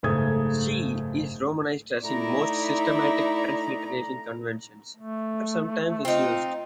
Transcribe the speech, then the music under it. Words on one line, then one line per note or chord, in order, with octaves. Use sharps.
Chi is romanized as in most systematic transliteration conventions, but sometimes is used.
F#1 G#2 A3 D#6 G#6
A3 D#4 E4 D5 A#5
A3
C4 D#4 F4